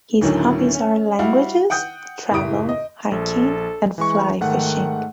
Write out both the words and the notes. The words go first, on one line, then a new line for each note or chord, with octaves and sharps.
His hobbies are languages, travel, hiking and fly fishing.
D2 A2 D#3 F#3 C#4 D4
C#4
G3 E4 F#4 F5
F#5 G5 D#6 G6
F#1 A2 G4 D#6 D7
D#5
A#1 A4
E3 G#3 C#6
G#2 D#3 A3 F#5